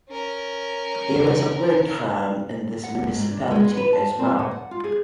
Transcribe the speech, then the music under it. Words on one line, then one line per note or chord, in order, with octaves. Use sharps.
There is a wind farm in this municipality as well.
C#4 A#4
F#5
G#2
D4
G#3
B3
B4
A5
C4
A#2
F#5
F4
G#4